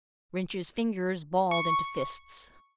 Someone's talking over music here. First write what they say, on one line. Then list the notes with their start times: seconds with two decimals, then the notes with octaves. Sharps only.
Rynch's fingers balled into fists.
1.51 C#6